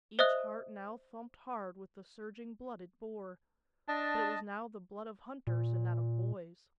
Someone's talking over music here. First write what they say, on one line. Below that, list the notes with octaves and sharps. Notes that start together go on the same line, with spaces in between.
Each heart now thumped hard with the surging blood it bore; but it was now the blood of hunters and not of boys.
C5 D#5 E5 D#6 F#6
D4 D#5 A5
A#2